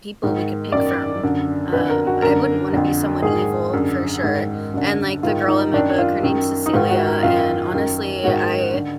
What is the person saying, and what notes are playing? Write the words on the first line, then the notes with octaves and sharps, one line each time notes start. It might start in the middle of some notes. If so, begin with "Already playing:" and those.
people we could pick from. Um, I wouldn't wanna be someone evil for sure, and, like, the girl in my book, her name is Cecilia, and honestly, I
G#2 D#3
F#2 D#3 D5
F#2 D3
F2 D3 B4
A#4
F#4
F#2 D3 A#4
F2 D3
G#2 D#3 G#4
F#2 D3
G#2 D#3
F#2 D3
G#2 D#3 F4
D#4
F#2 D#3 D4
F4
F#2 D#3
D#4
G#2 D#3 F4
F#4
A#4
F#2 D#3 F4
F#2 D#3
G#2 D#3 F#4
D3